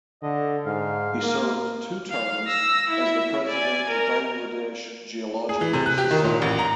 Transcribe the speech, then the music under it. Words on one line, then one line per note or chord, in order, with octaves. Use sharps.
He served two terms as the President of Bangladesh Geological Society.
D3 D#5
G#2 F5
A#3
F5
E6 A#6
E4 E5
D5 G#5
A#4
G#4
E3
C3
F#6
G4
D#3
A#2
A1
A#5